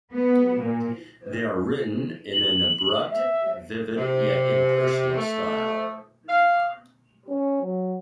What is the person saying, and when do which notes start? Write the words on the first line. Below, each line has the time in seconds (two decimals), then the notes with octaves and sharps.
They are written in an abrupt, vivid, yet impersonal style.
0.12 B3
0.61 A#2
2.33 F#7
3.11 E5
3.96 C3
5.16 A3
6.29 F5
7.29 C#4
7.62 F#3